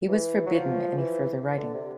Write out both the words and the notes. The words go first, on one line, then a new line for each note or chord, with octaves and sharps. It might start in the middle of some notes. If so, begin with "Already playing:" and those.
He was forbidden any further writing.
E3
F#3
F3
E3
D3
C3